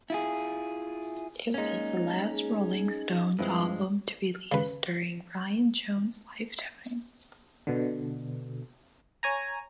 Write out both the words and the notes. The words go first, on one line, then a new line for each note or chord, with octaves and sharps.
It was the last Rolling Stones album to be released during Brian Jones' lifetime.
E4 F4 G#4
G#3 A#3 C#4 D#4
G#4
G2 F3 G#3 C4 E4 B4
C#3 B4
B2 D3
C#5 G#5 A#5